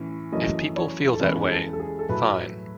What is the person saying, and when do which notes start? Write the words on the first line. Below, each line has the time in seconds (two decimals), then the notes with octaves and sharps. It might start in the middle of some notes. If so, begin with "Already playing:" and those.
If people feel that way - fine.
Already playing: A2 E3 C#4
0.32 F#2 E3 A3 C#4 D#5
0.76 C#5
1.13 A4
1.21 E2 C#3 E3 G#3 C#4 B4
1.50 A4
1.73 A4
1.80 G#4
1.99 A4
2.09 A2 F#3 A3 B4